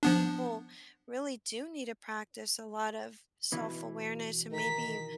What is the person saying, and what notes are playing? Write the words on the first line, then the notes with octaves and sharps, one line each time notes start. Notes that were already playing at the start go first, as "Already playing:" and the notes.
people really do need to practice a lot of self-awareness and maybe
F3 B3 D4
B2 E3 E4
D#3 A#5 B6